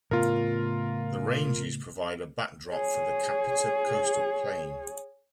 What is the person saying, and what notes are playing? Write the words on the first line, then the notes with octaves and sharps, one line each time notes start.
The ranges provide a back-drop for the Kapiti coastal plain.
A2 C#3 B3 F4 A#4
G#4 C#5